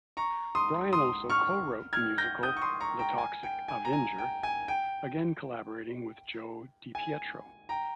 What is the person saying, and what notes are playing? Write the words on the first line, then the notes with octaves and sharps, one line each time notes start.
Bryan also co-wrote the musical "The Toxic Avenger", again collaborating with Joe DiPietro.
A#5 C#6
C6 D#6
C6 D#6
C#6 F6
F6 G#6
G6 A#6
D#6 G6
C#6
C6 D#6
A#5 C#6
G5 A#5
G#5
G5
G#5
A#5
G#5
G5
G#5
G5
G#5
G5 A#5